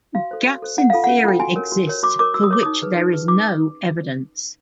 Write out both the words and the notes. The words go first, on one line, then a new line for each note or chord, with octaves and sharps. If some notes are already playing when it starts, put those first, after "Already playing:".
Gaps in the Theory exist for which there is no evidence.
F#4 F5
A4 C5
F#4
A4 C5
C#4 F#5
F4 A4 F5
C#4 F#5
F4 A4 G5
F#4 G#5
A#4 C#5
F#4
A#4 C#5
F#4 D6
A#4 C#5 D6
F#4 E6
D#6
A#4 C#5 D6
D#4 D#6
G#4 B4
D#4
G#4 B4
C#4 D6